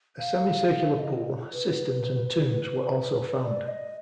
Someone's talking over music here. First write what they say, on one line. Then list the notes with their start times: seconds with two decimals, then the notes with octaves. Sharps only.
A semi-circular pool, cisterns and tombs were also found.
0.19 F5
0.99 D#5
1.53 B4
3.41 D#5
3.44 D5
3.68 D#5